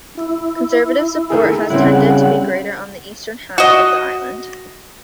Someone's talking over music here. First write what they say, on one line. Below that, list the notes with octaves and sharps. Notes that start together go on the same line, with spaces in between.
Conservative support has tended to be greater on the eastern half of the island.
E4
D#3 A3 G#4
C#3 G3 C4 E4 F#5
F#4 D#5